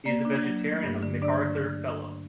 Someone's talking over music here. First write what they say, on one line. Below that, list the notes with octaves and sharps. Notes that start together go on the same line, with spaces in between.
He is a vegetarian and a MacArthur fellow.
A#3 D5
D4
F#3
A3
G2
D3
D4 D5